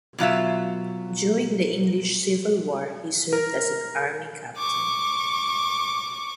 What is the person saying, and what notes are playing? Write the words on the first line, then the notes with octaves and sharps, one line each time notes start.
During the English Civil War he served as an army captain.
B2 F#3 F4 E5
A#4
C#6 D6